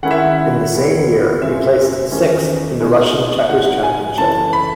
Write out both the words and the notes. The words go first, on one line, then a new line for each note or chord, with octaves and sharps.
In the same year, he placed sixth in the Russian Checkers Championship.
D#3 G#3 C#4 E4 F#5
E5
F#5
E2 D#3 A3 E4
F#2 C#3 G#3 C#4 E5
E2 D#3 A3 C#4
B2 G#3 D#4
A2 G#3 D#4 F#5
G#5
F#2 C#3 E3 A3 E4 A5
B5